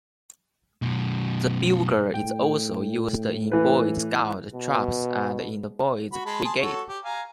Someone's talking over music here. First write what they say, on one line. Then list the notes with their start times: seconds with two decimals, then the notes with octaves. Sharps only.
The bugle is also used in Boy Scout troops and in the Boys' Brigade.
0.82 F#2 B2
2.14 A2 G5
3.52 E3 B4
4.55 B2
6.13 F#4 B5
6.26 G#3 A5 B5
6.45 G#4 A5 C6
6.60 F#4 A4 C#5
6.88 G4
7.05 F5 G#5 A#5